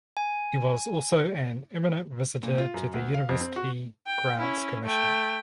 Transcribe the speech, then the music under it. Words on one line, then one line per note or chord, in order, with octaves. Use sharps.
He was also an eminent visitor to the University Grants Commission.
G#5
A#2
F4
F#2
D2
F5
F2
C4
F#4
G5
C#4 E4
A3 G5